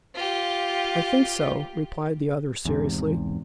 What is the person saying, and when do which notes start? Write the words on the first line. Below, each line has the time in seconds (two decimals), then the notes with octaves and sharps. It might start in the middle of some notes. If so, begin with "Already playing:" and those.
"I think so," replied the other seriously.
0.14 F4 G4
2.65 E2 G#2 C3